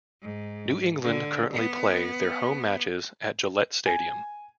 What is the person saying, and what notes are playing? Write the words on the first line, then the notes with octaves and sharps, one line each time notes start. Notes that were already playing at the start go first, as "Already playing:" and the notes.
New England currently play their home matches at Gillette Stadium.
G#2
D3
B3
G#5